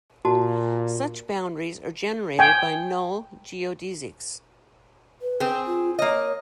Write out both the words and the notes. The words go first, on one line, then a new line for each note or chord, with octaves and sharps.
Such boundaries are generated by null geodesics.
A#2 F#4 A5
G5 G#5
B4
C4 G#4
F4
A#3 C#5 D#5